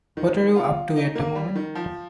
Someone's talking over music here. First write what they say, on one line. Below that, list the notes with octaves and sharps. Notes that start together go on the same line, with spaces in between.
What are you up to at the moment?
D#3
F4
D#4
A#3
G3
D#3
F3